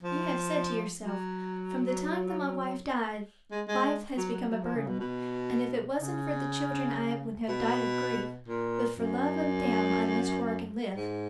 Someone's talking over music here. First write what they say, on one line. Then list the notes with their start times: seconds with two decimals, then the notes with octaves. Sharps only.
You have said to yourself, 'From the time that my wife died life has become a burden, and if it wasn't for the children I would have died of grief, but for love of them I must work and live.
0.03 F3
1.02 F#3
3.51 G#3
3.68 G#3
4.17 F#3
4.34 F#3
4.50 F#3
4.62 F3
4.75 C#3
4.87 B2
5.00 B2
6.00 C#3
7.48 B2
8.48 A#2
8.98 F#2
10.96 G#2